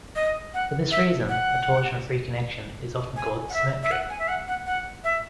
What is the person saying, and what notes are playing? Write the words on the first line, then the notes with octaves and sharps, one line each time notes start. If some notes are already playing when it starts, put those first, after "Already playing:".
For this reason a torsion-free connection is often called 'symmetric'.
D#5
F#5
E5
F#5
G#5
F#5
E5
E5
F#5
G#5
E5
F#5
F#5
F#5
E5